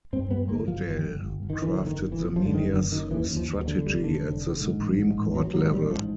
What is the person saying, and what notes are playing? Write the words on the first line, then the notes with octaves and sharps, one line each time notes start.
Goodale crafted the media's strategy at the Supreme Court level.
G2 C4
G2 B3
G1 A#3
G1 F3
G1
G1
G1
G1
D#3
D3 E3
F#1
D#3
F#1
E3
F#1
F#2 F3
D3
F#1 D#3
F#1 D3
F#2 D#3
D#2 E3
D#2
F3
D#2
F#3
D3
F1 G3
D3
F1
D3
G#2
A1
G#2
A1
A1 F#3
G#2 F#3
A1 G3
G#2 F3